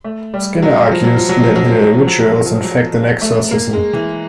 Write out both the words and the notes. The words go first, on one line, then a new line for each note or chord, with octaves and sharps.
Skinner argues that the ritual is in fact an exorcism.
A3
G3
F#3
F3
F#3
F3
F#3
F3
F#3
F3
F#3
F3
F#3
F3
F#3
F3
F#3
A3
A#3
G#3
E3